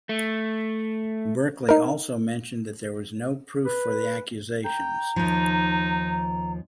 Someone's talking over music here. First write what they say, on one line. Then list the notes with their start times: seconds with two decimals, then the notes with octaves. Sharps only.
Berkeley also mentioned that there was no proof for the accusations.
0.09 A3
1.69 D#4 A#4
3.66 B4
4.65 G5 A#5
5.16 D#2 F3 D#4